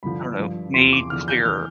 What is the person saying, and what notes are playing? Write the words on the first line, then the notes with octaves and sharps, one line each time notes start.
I don't know, made clear
G2 D3 F3 B5
G2 F3
E2 C3 F3 C6
D6
E2 D3 F3 F6
G6
E3 F6